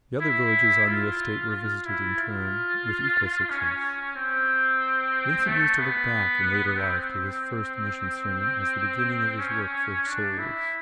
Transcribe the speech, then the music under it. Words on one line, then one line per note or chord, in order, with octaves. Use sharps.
The other villages on the estate were visited in turn, with equal success. Vincent used to look back in later life to this first mission sermon as the beginning of his work for souls.
E4
F4
F4
E4
F4
C#4
C4
A3
B3
C4
C#4
D4
E4